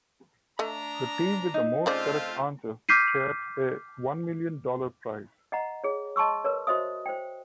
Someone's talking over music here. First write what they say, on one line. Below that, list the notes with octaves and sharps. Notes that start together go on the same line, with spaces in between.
The team with the most correct answers shares a one million dollar prize.
A3 D4 D#5 A#5
D#4
C#3 A3 C4 F4 C5 D5
D6 F6 G6 B6 C7 D#7
D#5 F#5 A#5
G#4 C#5
D#5 A5 C6 C#6 E6
A#4 B4 C#5
F#4 C5 D#5 E5 D#6
C5 G5